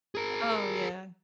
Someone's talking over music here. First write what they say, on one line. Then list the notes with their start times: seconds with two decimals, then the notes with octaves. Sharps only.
Oh yeah.
0.15 G#4 A#4